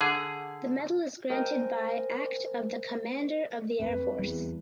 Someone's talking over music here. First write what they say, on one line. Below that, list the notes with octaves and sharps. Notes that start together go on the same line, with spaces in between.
The medal is granted by act of the Commander of the Air Force.
D3 G#4
A#4 C5 D#5 G5 G#5
F2 B4
E2 G3